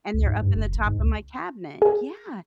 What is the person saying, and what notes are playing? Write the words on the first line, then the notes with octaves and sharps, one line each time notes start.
and they're up in the top of my cabinet, yeah
C#2
G#2
G2
F#1
G#1
G#2
C#2
G#4